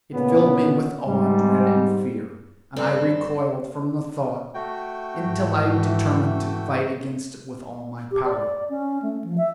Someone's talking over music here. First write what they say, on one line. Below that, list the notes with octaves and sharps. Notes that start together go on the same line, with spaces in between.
It filled me with awe, dread, and fear, and I recoiled from the thought, until I determined to fight against it with all my power.
A#2 C#3 B3
G#2 G3
G2 C4 A4
A3 F#4 G5
G#2 E3
G4
D5
C#4
A3
F3
E5